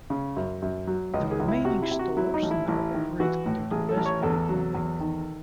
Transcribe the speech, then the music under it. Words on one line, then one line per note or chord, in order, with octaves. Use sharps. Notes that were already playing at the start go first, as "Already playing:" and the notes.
The remaining stores now operate under the Best Buy branding.
C#3
F#2
F#2
F#3
C#2 D#5
G#4
C#2
E4
C3 F#4
E4
C3
F#4
F#3 E4
D#4
A1
E4
A1 E4
D#3
E3 F#4
A2
A1 G#4
A4
A1
C#5
E2 A4
F#3
E2
D#3